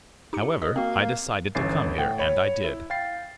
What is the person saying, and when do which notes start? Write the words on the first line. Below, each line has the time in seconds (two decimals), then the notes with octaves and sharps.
However, I decided to come here, and I did.
0.33 D#4 G4 C#7
0.62 D#5 D#6
0.76 A#3 C4 F#4
1.55 G1 E3 C#4 E4 A6 C7
1.98 A2 F#5 G5
2.19 C#5 B5
2.64 E4
2.90 F5 G5 A6 C7